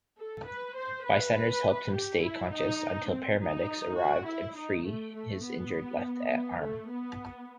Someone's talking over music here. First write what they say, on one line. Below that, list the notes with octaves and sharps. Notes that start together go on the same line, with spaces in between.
Bystanders helped him stay conscious until paramedics arrived and free his injured left arm.
A4
B4
C5
B4
G4
E4
D#4
C4
D#4
F#4
E4
D#4
A3
A3
B3
B3
A3
B3